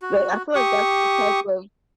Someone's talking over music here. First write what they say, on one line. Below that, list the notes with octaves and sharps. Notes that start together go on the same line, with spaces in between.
But I feel like that's the type of
F#4
G4 C#6 D#6